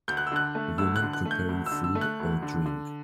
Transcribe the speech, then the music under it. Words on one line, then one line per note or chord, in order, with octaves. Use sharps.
Woman preparing food or drink.
D2 G6
F#6
E6
D3 F#6
A3
D2 E6
F#6
D3
F#6
A3
G6
D2
E6
D3
E6
A3
F#6
D2
D3
D3